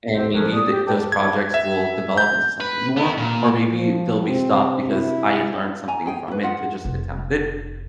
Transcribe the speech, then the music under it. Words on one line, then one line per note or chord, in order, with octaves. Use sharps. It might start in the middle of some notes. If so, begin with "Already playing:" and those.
And maybe the those projects will develop into something more, or maybe they'll be stopped because I learned something from it to just attempt it
C3 C4 C5
D#3 F3 F#3 C#4 D4 A4
C2 B3 D5 D#6
G4
A4 B4 D5 G5
G#6
E5
G6
B4
B3 E4
A#2
F3
C3 C4
E4
G#5 A#5
G#4 G5 G#5
E4 B4
F4 G#4 F#5
F1